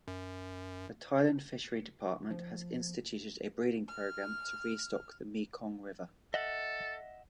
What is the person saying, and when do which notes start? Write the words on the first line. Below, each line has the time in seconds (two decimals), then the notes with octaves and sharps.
The Thailand Fishery Department has instituted a breeding programme to restock the Mekong River.
0.08 F#2
2.30 F3
3.88 F6
6.34 A4 D#5 E5 F#5